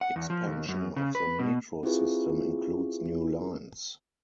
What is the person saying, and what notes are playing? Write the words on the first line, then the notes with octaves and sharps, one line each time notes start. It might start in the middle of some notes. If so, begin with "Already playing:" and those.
Expansion of the metro system includes new lines.
F#5
E2
F3
D#2
F#2
C#3
B4
B2
C4 E4 F4 G4 G#4 B4